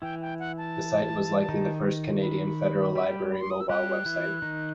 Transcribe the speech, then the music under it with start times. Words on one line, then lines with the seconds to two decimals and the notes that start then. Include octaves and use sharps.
The site was likely the first Canadian federal library mobile website.
0.02 E3 E4 G5
0.21 G5
0.39 F#5
0.58 A5
1.49 D#3 D#4
2.22 B5
2.95 G3 G4
3.32 B5
3.41 C6
3.50 D#6
3.60 E6
3.69 G3 G4 F#6
4.06 E3 E4
4.42 D#3 D#4